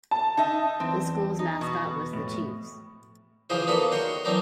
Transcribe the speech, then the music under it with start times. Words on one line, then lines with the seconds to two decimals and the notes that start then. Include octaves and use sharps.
The school's mascot was the Chiefs.
0.11 A5
0.37 D#4 D#5 E5
0.80 E2 C4
1.39 D#4
1.61 B2
2.13 F2 A2
3.50 C#3 E3 F3 F4 G#4 C5
3.67 A#3 B3 D4 F#4 A4 B4
3.91 D#3 F#4 C#5 G5 C6
4.25 E3 F#3 C4 D4 D#4 A#4